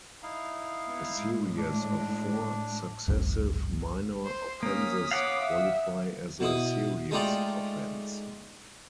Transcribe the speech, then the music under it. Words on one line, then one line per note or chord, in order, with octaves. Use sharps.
A series of four successive minor offenses qualify as a "serious" offense.
D#4 E4 F5
B3
A2 G#3
D4
G#1 C#2 F#2
C5 C6
A#3 C#4 D#6 F6 B6
C#5 F5 F#5 D6
E5
B2 E4 D#6
G#3 A3 D#4 F4 D5 G5